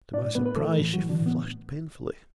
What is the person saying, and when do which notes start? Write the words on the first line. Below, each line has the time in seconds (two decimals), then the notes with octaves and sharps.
To my surprise, she flushed painfully.
0.13 A2 D4 D5
0.35 A2 B3 B4
0.46 B4
0.56 E3 A3 A4
0.78 A2
0.94 F#3 F#4
0.99 E3
1.09 D3 D4
1.20 A2
1.26 B3